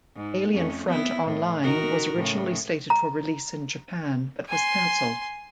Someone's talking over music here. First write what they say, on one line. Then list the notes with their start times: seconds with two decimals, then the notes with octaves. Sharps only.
"Alien Front Online" was originally slated for release in Japan, but was cancelled.
0.16 G#2
0.52 F2 A3 C#4
0.86 B3 C4 E4
1.26 A2
1.62 D#3 F#4 A#4
2.16 A2 C#3
2.90 A#5
4.49 G#5 C6